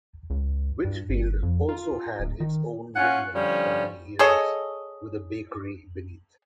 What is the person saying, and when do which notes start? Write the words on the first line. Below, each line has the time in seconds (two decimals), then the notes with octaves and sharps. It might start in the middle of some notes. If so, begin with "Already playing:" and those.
Whitfield also had its own windmill for many years, with a bakery beneath.
0.30 C#2
0.85 G2
1.09 G1
1.43 F2
1.69 F4
2.20 D1
2.40 D#3
2.96 C#4 F4 F#5 G#5
3.34 D3 F3 G3 C#4
4.19 G#4 A4 C#5 D#5